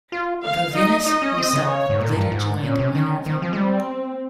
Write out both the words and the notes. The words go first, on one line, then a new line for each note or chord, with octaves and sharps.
Vivinus himself later joined Minerva.
F4
F5
D#4 D#5
D#4 D#5
C#4
C4
C#3
C#5
G#2
A#2 A#4
G#2
G2
G#2
A#2 C#4
C3
D#3
D#3 C4
F3
G#3
G3 C4